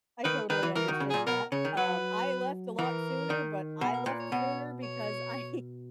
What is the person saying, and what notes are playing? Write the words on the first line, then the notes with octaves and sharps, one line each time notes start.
I totally understand that. Um, I left a lot sooner, but I left sooner because I
D#3 B4
D#3 B4
E3
E3 A#4
D#3 F#4
C#3
A#2 G#4
B2 A#4
C#3 C#5
D#3
F#3 B4
E3 A#4
D#3
B2 G#4
A#4
A#2 B4
C#5
B2
C#5